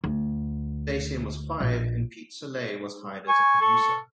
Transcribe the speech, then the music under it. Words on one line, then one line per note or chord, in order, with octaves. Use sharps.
Stasium was fired and Pete Solley was hired as producer.
D2
A#1
G#5 C#6
A4 C#6